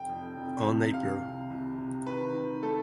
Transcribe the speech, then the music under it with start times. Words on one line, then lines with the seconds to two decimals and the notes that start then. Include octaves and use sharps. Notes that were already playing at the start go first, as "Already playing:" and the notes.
On Apr.
Already playing: F1 G5
0.09 F2
0.37 F1
0.65 C3
0.94 C3 F5
1.21 C2
1.50 C2
1.78 C3
2.07 D#3 B4
2.35 D#3
2.63 A3 A4